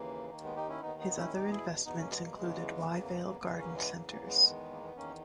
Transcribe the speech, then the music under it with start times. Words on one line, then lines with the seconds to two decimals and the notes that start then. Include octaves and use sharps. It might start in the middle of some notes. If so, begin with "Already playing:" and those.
His other investments included Wyevale Garden Centres.
Already playing: D#2 C#3 E3 A#3
0.30 D#2 D#3 A#3
0.43 G#3 B3
0.56 D#4 G4
0.69 C#4 E4
0.82 D#2 D#3 B3 D#4
0.99 B3 D#4
1.16 C#4 E4
1.34 E2 B2 D#4 G4
1.50 E4 G#4
1.85 E2 B2 B3 D#4
1.98 A#3 C#4
2.11 G#3 B3
2.24 A#3
2.37 E2 C#3 E3 G#3
2.89 E2 C#3 E3 A#3
3.02 A#3
3.15 G#3
3.29 A#3
3.40 E2 C#3 E3 G#3 B3
3.58 A#3 C#4
3.75 G#3 B3
3.92 E2 C#3 E3 A#3
4.11 A#3
4.27 G#3 B3
4.45 E2 D#3
4.72 A#3
4.84 B3
4.96 E2 D#3 A#3 C#4